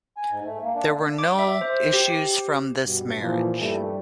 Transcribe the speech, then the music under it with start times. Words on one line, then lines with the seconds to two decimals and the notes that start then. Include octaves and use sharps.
There were no issue from this marriage.
0.17 G#5
0.30 G#2
0.45 A3
0.63 A#3
0.75 D4
1.18 D6
1.39 E5
1.61 C5
1.93 G4
2.85 G2 B2
3.19 A#2 E3 F3
3.59 G2 G3 A3